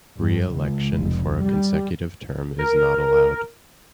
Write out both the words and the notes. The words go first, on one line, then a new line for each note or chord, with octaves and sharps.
Re-election for a consecutive term is not allowed.
G2
C#2
F1
G3
A#4